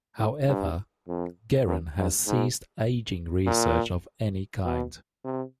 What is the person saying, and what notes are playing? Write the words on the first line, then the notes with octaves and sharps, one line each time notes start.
However, Geron has ceased aging research of any kind.
A2
G2
F2
F#2
G2
G#2
A#2
B2
C3